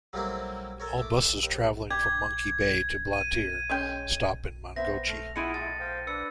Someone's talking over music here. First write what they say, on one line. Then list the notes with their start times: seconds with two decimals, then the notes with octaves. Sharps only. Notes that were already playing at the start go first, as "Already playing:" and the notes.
All buses travelling from Monkey Bay to Blantyre stop in Mangochi.
0.13 F#3 G3 A3 A#3 C4 E4
0.80 A4 A#4 C#5
0.98 A3 D6
1.43 D#2
1.90 G4 G#6
3.13 D#7
3.70 G#3 C#4 G5
4.76 B3 C4 C5 E5 A#6
5.07 A3 F6
5.36 B3 E4 F4 G#4 D#5 E5 C#7 D#7
5.54 A2 A6
5.80 C5 F5 G5
6.07 D4 B4 E6 C#7